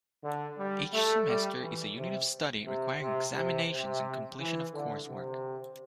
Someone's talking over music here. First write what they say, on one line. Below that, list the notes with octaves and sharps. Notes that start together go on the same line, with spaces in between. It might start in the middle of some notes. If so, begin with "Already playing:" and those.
Each semester is a unit of study requiring examinations and completion of coursework.
D3
G3
A3
G3
E3
C3
C3
C3
C3
C3
E3
D3
C3